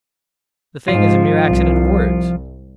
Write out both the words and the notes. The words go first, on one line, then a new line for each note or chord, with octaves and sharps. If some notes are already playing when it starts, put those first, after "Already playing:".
The thing is a mere accident of words.
G#2 F3 F4
C2